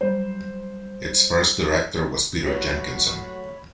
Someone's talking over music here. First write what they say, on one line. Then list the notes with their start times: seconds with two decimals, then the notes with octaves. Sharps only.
Its first Director was Peter Jenkinson.
0.01 F#3 G3 C5
2.46 F#3 A3 F#4 G4 B4 C#5 B5